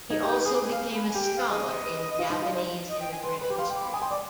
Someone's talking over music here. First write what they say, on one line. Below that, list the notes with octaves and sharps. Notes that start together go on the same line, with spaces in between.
He also became a scholar in Japanese immigrant history.
D#4 G#6
G4
G6
B4
G#4 D#6
D6
G#5
F5
B5
G#5
G4
G5
F5
G#4 D#5
B4
F4
D#4
F4
C5
D#5
G5
G#5
B4 C6
B4 B5
G4
D6
F5 C6
G5
D6
B5
G#5 D#6
G5 C6
D5 D6